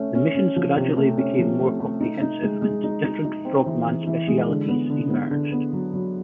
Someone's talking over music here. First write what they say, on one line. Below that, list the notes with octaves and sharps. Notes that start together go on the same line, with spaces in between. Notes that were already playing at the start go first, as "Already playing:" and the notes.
The missions gradually become more comprehensive and different frogman specialities emerged.
Already playing: A3 C#4
C#4
C#4
F3
C3
A3
C#4
F3
A3
A3
D#4
D#4
G#3
G#3
D#4
D#4
D#4
C4
E3
E3
E3
G#3
D3
B3
D3
B3
D3
B3
F#3
F#3